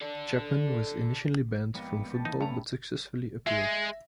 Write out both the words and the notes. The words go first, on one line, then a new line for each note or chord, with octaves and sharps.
Chapman was initially banned from football but successfully appealed.
A4 D5
F2 G#2 G3 A#3 B3 D#5
G4 A5
E3 A#3 D#4
G2 C3 A3 B3 C#4 E4 A#5
G#3 E5